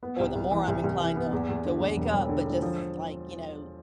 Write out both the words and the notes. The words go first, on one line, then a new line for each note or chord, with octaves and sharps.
or the more I'm inclined to to wake up, but just, like, you know,
B3
C2
C2
E3
C2
C2
E3
B3
E2
E2
D3
E2
E1
E1
D3
D3
F3